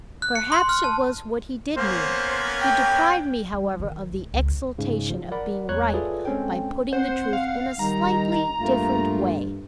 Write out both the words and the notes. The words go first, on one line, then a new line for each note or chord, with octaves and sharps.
Perhaps it was what he did mean; he deprived me however of the exultation of being right by putting the truth in a slightly different way.
F#6
C#7
C6
F6
A5
A#3 B3 C#4 C5
G5
G3
D#3
D1
C#2
G#2 C#3
F3
A#4 D5 F#5 B5
E2 G#3 C#5 A#5 F#6
F4 G#4 A4 B4 D5 E5
G#3 C4 C#4 A4 G5
C4 C5 F#5
F5
D#3 G3 D#4 A#5
G2 A3 A#3 F4